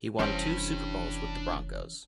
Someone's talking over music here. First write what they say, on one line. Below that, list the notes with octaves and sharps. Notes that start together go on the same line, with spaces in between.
He won two Super Bowls with the Broncos.
F1 E3 C#4 D4 C5 G5